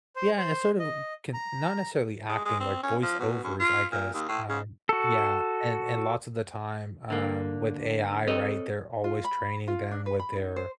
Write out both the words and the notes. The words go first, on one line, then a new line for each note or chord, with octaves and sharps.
Yeah, and sort of, can not necessarily acting like voiceovers, I guess, um, yeah, and and lots of the time, um, with AI, right, they're always training them with their
C5
C5
D#5
A#5
G#3
G#3
C4
C#4
F3
B2
F#2
F4
A#2
D#2
A2
C#3
F#4 A4
D3 A#3
C4 A4 C#5 D#5
F4
B5
F4
D4
B4
B5
D#4
C5